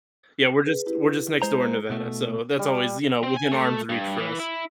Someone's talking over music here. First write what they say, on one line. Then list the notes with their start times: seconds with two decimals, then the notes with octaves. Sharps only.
Yeah, we're just we're just next door in Nevada, so that's always, you know, within arm's reach for us.
0.63 G#4 B4
0.86 E4 G4 B4
1.42 G#3 C5 A#5
1.90 B2 A3
2.59 G3
3.23 C4
3.36 G#5
3.52 A3
3.89 G2
4.18 E3
4.40 E4